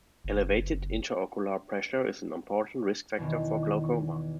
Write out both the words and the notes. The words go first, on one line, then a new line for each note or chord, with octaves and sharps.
Elevated intraocular pressure is an important risk factor for glaucoma.
F#1
E2 B2 D#3